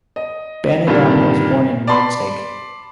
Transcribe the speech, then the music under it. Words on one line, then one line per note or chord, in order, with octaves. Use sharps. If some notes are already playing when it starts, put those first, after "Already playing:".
Benedum was born in Merzig.
D#5
G2 A#2 D3 D#3 G3
D5 A5 B5 C6